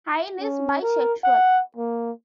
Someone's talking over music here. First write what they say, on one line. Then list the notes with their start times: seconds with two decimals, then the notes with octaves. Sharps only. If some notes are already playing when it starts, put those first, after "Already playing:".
Hine is bisexual.
0.40 C#4
0.82 A#4
1.24 F#5
1.76 A#3